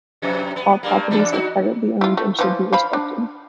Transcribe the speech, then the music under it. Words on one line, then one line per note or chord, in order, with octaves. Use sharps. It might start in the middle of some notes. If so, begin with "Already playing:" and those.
All properties are privately owned and should be respected.
F2 C3
B3
G2 G3 A#3
E2 D4
D#4 F#4
E4 F4
A3
E3 F3
F3 F5 B5
D4